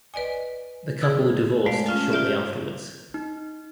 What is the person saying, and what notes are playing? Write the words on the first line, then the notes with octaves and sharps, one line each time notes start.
The couple divorced shortly afterwards.
B4 D5 D#5 G#5
G#4 D5 D#6 E6 F#6
G#3 A3 D5 F5
C#4 F4 F5 A5
F4 G4 D5 E5
D#4